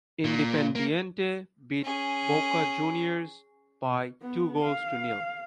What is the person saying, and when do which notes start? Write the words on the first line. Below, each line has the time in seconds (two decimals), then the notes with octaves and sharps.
Independiente beat Boca Juniors by two goals to nil.
0.25 A#2
0.75 A#3
1.82 C#4 G#4
4.22 B3
4.63 F5